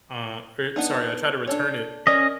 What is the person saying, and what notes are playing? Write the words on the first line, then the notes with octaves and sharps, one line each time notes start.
Uh, I sorry, I tried to return it
B3 D4 D#4
D4 A4 C#5
C#4 A#4 D5 D#5